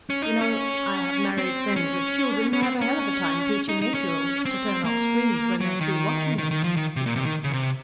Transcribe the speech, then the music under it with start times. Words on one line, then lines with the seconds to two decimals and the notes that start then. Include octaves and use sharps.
"You know, I have married friends with children who have a hell of a time teaching eight-year-olds to turn off screens when they're through watching them," he commented.
0.10 C#4
0.22 D#4
0.41 C#4
1.38 C4
1.76 C#4
2.53 C#4
2.62 C4
2.81 C#4
3.69 D#4
3.82 D#4
3.94 C#4
4.45 C4
4.85 A#3
5.61 F#3
5.81 D#3
6.38 D#3
6.51 D#3
6.64 F3
6.76 D#3
6.96 C3
7.06 A#2
7.16 C3
7.25 D#3
7.44 C#3
7.53 C3